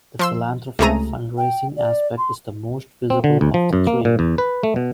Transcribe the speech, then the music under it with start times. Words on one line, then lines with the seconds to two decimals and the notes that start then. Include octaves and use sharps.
The philanthropic fundraising aspect is the most visible of the three.
0.19 F3 C6 E6
0.79 C#2 C3 A3 G#4 A#5 D#7
1.38 G5
1.77 D5
2.18 C6
3.10 C4
3.24 D3
3.41 D2
3.54 F3
3.73 F#2
3.87 A#3
4.05 A#2
4.19 E2
4.38 B4
4.63 A3
4.76 B2